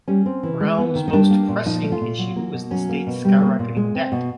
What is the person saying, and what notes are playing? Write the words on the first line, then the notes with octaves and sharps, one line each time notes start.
Brown's most pressing issue was the state's skyrocketing debt.
G3 C#4
C4
E3
G#3
B3
D#3
D#4
G3 D4
A#3
A#2
F3 D#4
A3
F4
A#2
F#3
A#3
B2
F#3 C#4
A#3
B2
G3
A#3
A#2
G#3
C4
B2